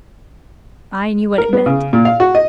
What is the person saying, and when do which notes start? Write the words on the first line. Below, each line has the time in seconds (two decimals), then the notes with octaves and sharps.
I knew what it meant.
1.38 A#4
1.53 B3
1.66 C#3
1.93 A#2
2.05 F5
2.20 F#4
2.35 D#5